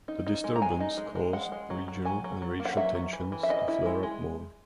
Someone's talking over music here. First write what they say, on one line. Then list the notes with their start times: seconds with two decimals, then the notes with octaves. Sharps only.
The disturbance caused regional and racial tensions to flare up more.
0.08 D#4
0.27 D#4
0.44 G#3
0.56 A#5
0.62 G#3 G#5
0.80 D#4
0.98 G#3
1.15 G#3
1.33 G#3 F#5
1.52 G#3
1.70 F#3
1.88 F#3
2.05 F#3 G#5
2.24 F#3
2.42 F#3
2.60 A#3
2.65 F#5
2.77 F#3 E5
2.95 F#3
3.13 E3
3.32 E3
3.43 E5
3.49 E3 D#5
3.68 E4
3.85 G#3
4.03 G#3